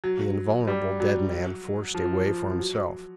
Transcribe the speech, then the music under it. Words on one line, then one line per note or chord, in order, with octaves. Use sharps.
The invulnerable dead man forced a way for himself.
F#3
G3
F#3
F3
F3
F#3